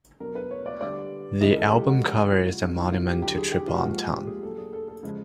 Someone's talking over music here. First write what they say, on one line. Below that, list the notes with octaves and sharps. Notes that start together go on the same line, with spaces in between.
The album cover is a monument to triple entendre.
B2 F#3 A#4
B4
C#5
D5
D3 G3 D5
C#3 E3 G#3 D#5
A4
G4
F#4
C#3 F3 G#3
F4
F4
B2 F#3 F4
E4
F4
G4
D3 F#3 G4
G#4
G4
F4
F#4
A#2 F3 G#3 F4
G4
G#4
A#2 F#3 A4
G#4
A4
A4
C#3 F3 G#3